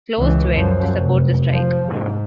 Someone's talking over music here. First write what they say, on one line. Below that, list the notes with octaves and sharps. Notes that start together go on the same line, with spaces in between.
Closed Wed. to support the strike.
C#2 E3
F#2 F3
F1
F3
G#2